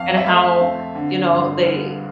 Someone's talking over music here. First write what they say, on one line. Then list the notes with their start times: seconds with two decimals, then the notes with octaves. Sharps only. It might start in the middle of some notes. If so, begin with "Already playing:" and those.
and how, you know, they
Already playing: F2 C4 F5 A5
0.17 E5
0.26 A3 F5
0.61 C4
0.95 D3
1.29 G2
1.63 G1